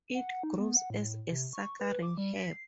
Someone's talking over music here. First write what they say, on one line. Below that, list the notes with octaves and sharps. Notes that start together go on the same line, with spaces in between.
It grows as a suckering herb.
F#5
D#4
B3
F#5
A2
C3
C#6
B4
D6
G3
B6
C7